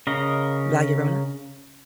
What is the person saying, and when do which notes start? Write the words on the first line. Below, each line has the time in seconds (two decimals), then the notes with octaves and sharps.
La Llorona.
0.07 C#3 A#4 D#5